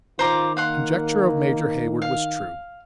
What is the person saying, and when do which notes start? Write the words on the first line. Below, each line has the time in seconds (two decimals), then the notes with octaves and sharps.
The conjecture of Major Heyward was true.
0.19 D#3 F4 C5 A#5 D6
0.57 A#3 F5 F#5 C6
2.02 F5